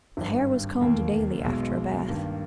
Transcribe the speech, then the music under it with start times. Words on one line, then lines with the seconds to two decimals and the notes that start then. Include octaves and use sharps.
The hair was combed daily after a bath.
0.17 G#1 G2 G3
0.80 E1 D#2 D#3 A#3
1.44 B1 B2 G#3
2.08 G2 D#3 A#3